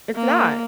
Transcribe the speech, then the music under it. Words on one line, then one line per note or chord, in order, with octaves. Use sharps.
It's not,
A#3